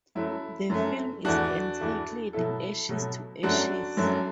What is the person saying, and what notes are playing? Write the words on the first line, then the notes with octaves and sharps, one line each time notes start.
The film is entitled Ashes to Ashes.
F#2 F#3 A3 E4
F#2 F#3 A3
E2 E3 A3 D4 F#4
E2 E3 A3
B2 F#3 A3 E4 A4
B2 F#3 A3
F#2 F#3 A3 D4 F#4
F#2 F#3 A3